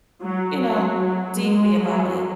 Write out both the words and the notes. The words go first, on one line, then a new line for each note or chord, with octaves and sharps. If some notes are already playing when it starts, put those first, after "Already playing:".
you know, deeply about it.
F#3
F#3
F#3
G#3
F#3